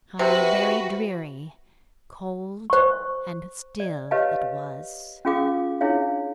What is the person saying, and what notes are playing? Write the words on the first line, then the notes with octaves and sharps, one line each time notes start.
How very dreary, cold, and still it was!
C3 F#4 B4
C5 C#6
D5
G4 B4 C#5 D#5 F5 A5
C#4 F4 G#4 F5 D6 D#6
D4 E4 G#4 C#5 F5